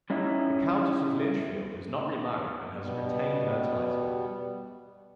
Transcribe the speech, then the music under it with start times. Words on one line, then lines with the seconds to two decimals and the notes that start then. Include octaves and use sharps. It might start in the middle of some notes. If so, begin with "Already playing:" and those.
The Countess of Lichfield has not remarried and has retained her title.
0.10 G3 C#4 D#4 E4
2.83 B2 G3 B3